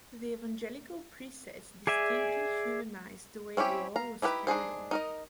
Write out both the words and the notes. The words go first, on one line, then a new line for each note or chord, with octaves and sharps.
The Evangelical precepts distinctly humanized the way war was carried on.
G#4 D5 E5 G#5
C4 C#4 E4 G4
F5 A#5
D#4 E4 G4 B4
D4 D#4 G#4 C5
D#4 A#4 D#5